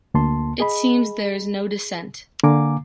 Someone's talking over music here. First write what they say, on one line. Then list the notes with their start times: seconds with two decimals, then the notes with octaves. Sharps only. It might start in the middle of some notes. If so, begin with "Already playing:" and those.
It seems there is no dissent.
0.14 D2 A#3 A5 C6
0.60 G#4 D#5 B5
2.43 D3 A#3 F5 G#5 A#5 D6